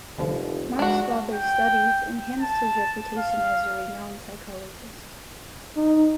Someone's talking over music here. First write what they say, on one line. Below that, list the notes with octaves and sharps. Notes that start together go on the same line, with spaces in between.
Mark's father's studies enhanced his reputation as a renowned psychologist.
F1 C2 D3 F3
G#3 D4 F#4
G5
A5
F5
D#4